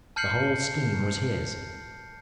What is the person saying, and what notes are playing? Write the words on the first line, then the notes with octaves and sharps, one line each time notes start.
The whole scheme was his.
A5 F6 G6 C7 C#7 F#7